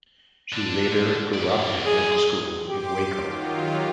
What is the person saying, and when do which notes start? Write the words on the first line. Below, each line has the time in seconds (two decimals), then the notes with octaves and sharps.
She later grew up and went to school in Waco.
0.53 D3 D4
1.34 G#3 D5
1.85 G#4
2.69 G4 G5 C6 D6
3.14 D#3 F#3 F4